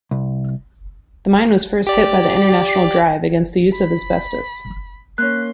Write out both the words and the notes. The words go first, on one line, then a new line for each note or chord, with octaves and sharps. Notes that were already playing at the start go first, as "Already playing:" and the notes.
The mine was first hit by the international drive against the use of asbestos.
C2
G4 D5
B5
A#3 C#4 C6 F#6